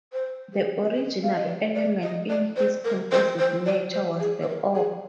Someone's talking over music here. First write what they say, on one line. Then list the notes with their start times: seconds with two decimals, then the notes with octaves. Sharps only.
The original element in his composite nature was the oak.
0.13 C5
0.53 G#4
0.94 G#4
1.24 F5
1.35 D#5
1.48 D5
1.75 D5
2.03 D#5
2.30 D5
2.56 C5
2.84 A#4
3.12 C5
3.39 C5
3.66 D5
3.93 C5
4.20 G#4
4.42 C5
4.48 A#4
4.75 G#4